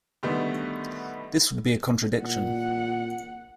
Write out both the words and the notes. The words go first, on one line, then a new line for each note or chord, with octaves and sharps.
This would be a contradiction.
B2 D3 D#3 G3 A3 B3
A#2 F#5